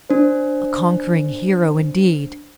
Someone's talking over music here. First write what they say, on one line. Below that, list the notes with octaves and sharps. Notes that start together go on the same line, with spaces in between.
A conquering hero, indeed!
D4 C5